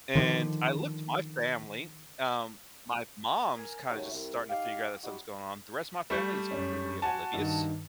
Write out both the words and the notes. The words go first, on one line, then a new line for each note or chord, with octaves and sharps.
and I looked to my family. Um, my mom's kinda just starting to figure out that something's going on. The rest of my family is completely oblivious,
D3 D#3 F3
A#4 G#5
D#2 C#3 F#3 A3
C2
D#4 G4 F5
G3 D#4 F#4
G3 A3 D5 C#6 B6
F#2 C#4
F#4 C5 F#5 G#5 A5
G2 D#3